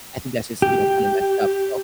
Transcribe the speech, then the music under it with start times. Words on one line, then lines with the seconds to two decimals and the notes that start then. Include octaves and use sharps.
I think that's just, you know, kind of messed up, So,
0.62 G4